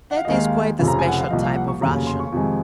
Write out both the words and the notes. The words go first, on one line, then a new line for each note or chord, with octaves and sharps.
That is quite a special type of Russian.
F#5
F5
D#5
D#2 D#3 G#3 F5
F1 F2 C#3 F3
A#5
G#5
F#5
F5
C2 A#2 F3 D#5
F5
F#5
C#6
F1 D#2 C#3 F#3 A#5
C6
C#6
F2 C3 D#3 G#3